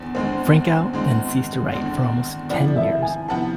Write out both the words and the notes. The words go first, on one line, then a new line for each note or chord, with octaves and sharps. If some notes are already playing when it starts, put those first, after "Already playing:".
Frankau then ceased to write for almost ten years.
Already playing: E2 D3 C4
E2 D3 G#3 C4 C5
E2 D3 G#3 C4
E2 D3 G#3 C4
C3 F3 B3 E4 D5
E5
G#5
C3 F3 B3 E4 A5